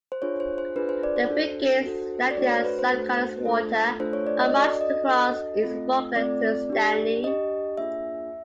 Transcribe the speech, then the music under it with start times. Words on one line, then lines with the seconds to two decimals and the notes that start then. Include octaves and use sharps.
The Brigade landed at San Carlos Water and marched across East Falkland to Stanley.
0.12 C5
0.22 D4 F4 G#4 C#5
0.40 C5
0.58 C5
0.76 D4 F4 G#4 B4
0.89 C5
1.03 D5
1.16 C5
1.30 D4 F#4 A4
1.84 D4 F#4 A4
2.31 D5
2.37 A3 D4 F#4 A4 C#5
2.52 C5
2.64 B4
2.79 C5
2.91 A3 D4 F#4 A4
3.45 A3 D4 F4 A4
3.99 A3 D4 F4 A4 C5
4.13 C#5
4.27 D5
4.40 D#5
4.54 D4 F#4 A4 D5
4.81 D#5
5.08 D4 F#4 A4
5.61 A3 C4 F4 A4
6.16 A3 C4 F4 A4 D5
6.70 D4 G4
7.23 D4 G4 D#5
7.77 A#3 D4 F4 G#4 E5